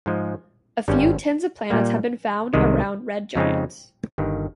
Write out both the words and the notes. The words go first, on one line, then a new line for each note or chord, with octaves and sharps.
A few tens of planets have been found around red giants.
G#2 F3 G#3
G#1 G2 G3 C#4
A#2 G3 A#3
C2 C3 D#3 G#3
F2 C#3 G#3 C4 D#4
G1 G2 D#3